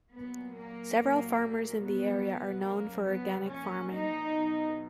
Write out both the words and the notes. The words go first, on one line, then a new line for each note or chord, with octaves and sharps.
Several farmers in the area are known for organic farming.
A#2 F#3 B3
A#3
A#2 F#3
B2 F#3 B3
C#3 F#3 A#3
B3
A#2 F3 C#4
D#4
B2 F#3